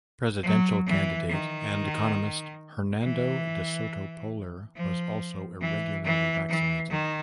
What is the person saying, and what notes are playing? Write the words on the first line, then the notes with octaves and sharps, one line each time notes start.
Presidential candidate and economist Hernando de Soto Polar was also irregularly vaccinated.
F#3
E3
D#3
E3
F3
E3
E3
E3
D#3